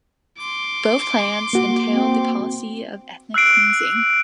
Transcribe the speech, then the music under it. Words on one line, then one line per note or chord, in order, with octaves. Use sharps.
Both plans entailed the policy of ethnic cleansing.
C6 D6
A#3 F#4
C4
E6 F#6 C7 D7